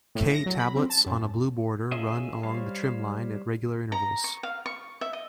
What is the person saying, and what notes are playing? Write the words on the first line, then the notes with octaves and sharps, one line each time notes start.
"K" tablets on a blue border run along the trim line at regular intervals.
A2
A#6
F#3
B5
C4
A5
F#2
C#4 F4 G#4 D#5 E5
G3 C5 C#5 F5
A#5
C#6
F5
C#6
E5
D#5